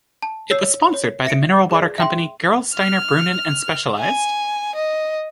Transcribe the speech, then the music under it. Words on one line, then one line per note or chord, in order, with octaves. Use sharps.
It was sponsored by the mineral water company Gerolsteiner Brunnen and Specialized.
A5
C#5 E6 C7
C#5
E5 A#6 C#7 D7
G#4 D5
E5 G5 C6
F6
G#5
D#5